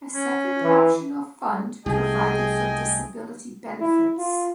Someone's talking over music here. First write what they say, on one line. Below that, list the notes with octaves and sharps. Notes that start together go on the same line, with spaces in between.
A second optional fund provided for disability benefits.
C#4
E3
C2 A3 G#4 D#5 G5 G#5
E4
F4